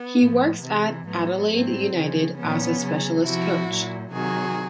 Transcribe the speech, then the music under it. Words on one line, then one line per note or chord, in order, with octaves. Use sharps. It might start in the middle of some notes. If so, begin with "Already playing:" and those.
He works at Adelaide United, as the Specialist Coach.
Already playing: B3
A2 F3
C3 E3
A2 F#3 B3
A2 F#3 C4
C#3 F3
A#2 F3 B3 C#4
C#3 F#3
C3 F3 E4 F#4
A#2 F#3
C3 D#3 F#3 F#4 G#4